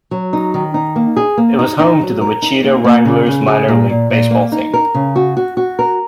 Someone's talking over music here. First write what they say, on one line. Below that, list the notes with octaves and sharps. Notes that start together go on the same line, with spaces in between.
It was home to the Wichita Wranglers minor league baseball team.
F#3
D#4
D#3
D#4
A#3
G#4
A#3
D#4
D#4
F#3
A#4
D#4
A#3
A#3
C#3
C#3
G#4
A#2
A#2
A#2
A#3
D#4
A#4
C#3
F#4
F#4
F#4
A#4